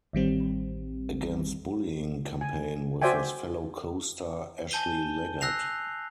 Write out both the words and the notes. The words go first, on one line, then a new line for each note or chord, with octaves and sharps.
Against Bullying campaign with his fellow co-star Ashley Leggat.
A1 D#3 G3 C4
G#5
F#4 C5 D5 E5 G5 G#5
G#5 A5 G6 D#7 G7
E6 F#6 A#6 C7 F7